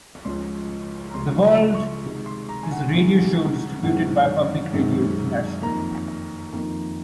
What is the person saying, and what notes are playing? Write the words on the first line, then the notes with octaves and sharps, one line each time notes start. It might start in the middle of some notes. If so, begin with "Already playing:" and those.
"The World" is a radio show distributed by Public Radio International.
C#2 C#3 F3 C6
A#5
C#2 C#3 F3 C6
A#5
C#6
C3 D#3 G#3
C6
A#5
G#5
F#5
C3 D#3 G#3
F#2 D#3 G#3 C4 F#5
F#2 D#3 G#3 C4
F2 D#3 A#3 A#5
F2 D#3 A#3